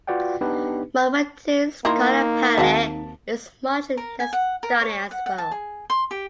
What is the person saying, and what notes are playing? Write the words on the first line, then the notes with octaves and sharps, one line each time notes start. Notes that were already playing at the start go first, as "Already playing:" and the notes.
Malfatti's color palette is much less stunning as well.
F4 F#4 B4 D5 F#5 G5
B3 D4 D#4 G4 B4
D#3 A#3 D#4 E4 A#4 C6
D#2 C4 F#4 F5 A5 B6
A#4
G#5
F#5
A#4
C#5
F#5
F#5
A5
G#4
C6
G4